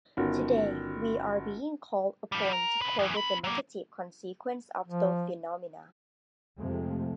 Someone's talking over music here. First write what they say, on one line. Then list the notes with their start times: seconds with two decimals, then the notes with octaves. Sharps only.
Today we are being called upon to cope with the negative consequences of those phenomena.
0.17 G1 D#3 C#4 F4 F#4
2.32 F3 G3
2.52 A#4
2.82 C#3 B4
2.99 F#2 E3
3.15 C4 B5
3.44 F#3 A#3
4.88 F3
6.59 F2 C3 F3 G#3 A3